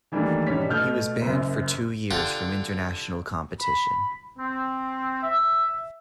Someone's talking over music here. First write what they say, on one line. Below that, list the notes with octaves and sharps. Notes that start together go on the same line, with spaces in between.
He was banned for two years from international competition.
D#3 E3 G3 A3 A#3 D4
E1 G#2 G3 C#4 C#5 B6
B2 A3 F6 G6
F#1 F#2
D3 F4 G4 F#5
B5
C4
E5